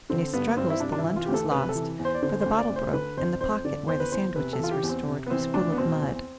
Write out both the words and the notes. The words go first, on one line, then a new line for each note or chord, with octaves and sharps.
In his struggles the lunch was lost, for the bottle broke and the pocket where the sandwiches were stored was full of mud.
D3 C4
G2 B3
G2 C4
E4
C3 D4
D4
E4
E3
F4
D2 G4
A4
C3 B4
A4
E3
E2
C5
D5
D3 C5
C5
D2
D5
D2
C5
D3 B4
F2 C5
F2 C5
D3 D5
E2 C5
B4
E2 C5
C3 B4
A4
E3 F4
G4
E2
C4
C3
B3
E3 C4
D2 D4
B3
B2 C4
E2